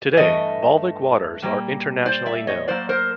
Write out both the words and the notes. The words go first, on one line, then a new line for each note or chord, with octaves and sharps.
Today, Volvic waters are internationally known.
G2 E3 A3 D#5
A#2 G3 A#3
C5 D5
D5 E5
C#5 D#5
A2 F#3 A#3 C5 D5
A#4 C5